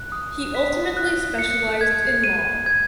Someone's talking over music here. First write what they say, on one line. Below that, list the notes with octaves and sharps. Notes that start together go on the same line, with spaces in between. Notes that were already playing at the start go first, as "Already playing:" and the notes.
He ultimately specialized in law.
Already playing: F#6
D#6
B6
F#6
C#7
G#6
D#7
G#6